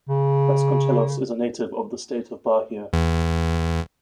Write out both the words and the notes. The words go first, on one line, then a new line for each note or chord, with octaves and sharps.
Vasconcellos is a native of the state of Bahia.
C#3
E2